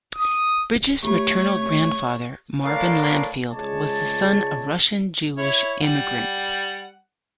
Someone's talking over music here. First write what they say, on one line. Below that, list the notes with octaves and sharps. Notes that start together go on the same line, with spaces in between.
Bridges' maternal grandfather, Marvin Landfield, was the son of Russian-Jewish immigrants.
D#6
A3 F4 G4 C#5 C#6
A2 D4 A#4 F5
C#2 G#3 C#5 D5 A5
E4 C#5
G3 F#5